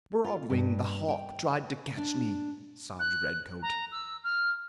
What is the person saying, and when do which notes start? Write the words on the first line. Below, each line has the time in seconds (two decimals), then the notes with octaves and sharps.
"Broadwing the Hawk tried to catch me," sobbed Redcoat.
0.24 F4
0.50 G2
1.08 G5
1.97 D4
2.99 F#6
3.62 A#5
3.91 E6
4.23 F6